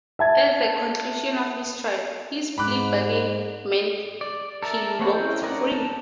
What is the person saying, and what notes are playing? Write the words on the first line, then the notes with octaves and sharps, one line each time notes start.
At the conclusion of his trial, his plea bargain meant he walked free.
E5 A5 G#6
G#2 B5 D6 F#6
D5
A4 A#4 E5 A5
A3 A#3 C4 C#5 F#5
C4 C#4 E4 G5
C#4 D#4 A#4 D5 F#5
A5